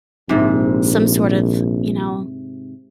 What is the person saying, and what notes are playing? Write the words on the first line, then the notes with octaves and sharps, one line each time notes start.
some sort of, you know
A#1 G#2 C3